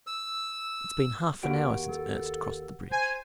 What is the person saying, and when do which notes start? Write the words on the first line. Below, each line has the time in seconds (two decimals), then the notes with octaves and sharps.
"It's been half an hour since Ernst crossed the bridge."
0.07 E6
1.43 D#2 F#4 G4 F#5 D7
1.89 A4
2.91 C5 G#5